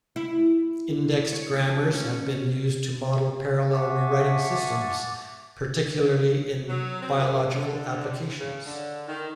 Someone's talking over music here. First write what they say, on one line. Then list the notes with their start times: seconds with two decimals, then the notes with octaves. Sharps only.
Indexed grammars have been used to model parallel rewriting systems, particularly in biological applications.
0.16 E4
1.32 C#5
1.69 F3
1.93 C#4
3.72 E5 F#5 G#5 A5 C#6 D6
6.69 F#3
7.02 C4
7.16 F#2
7.52 D3
8.39 C#3
8.66 D3
9.07 D#3